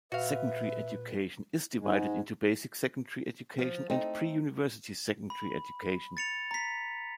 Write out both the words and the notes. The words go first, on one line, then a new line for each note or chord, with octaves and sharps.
Secondary education is divided into basic secondary education and pre-university secondary education.
A#2 F#4 B4 E5 F5
G#2 G#3
F3
A3 C4 D#4
B5
A6 C#7 F7
A#5 B6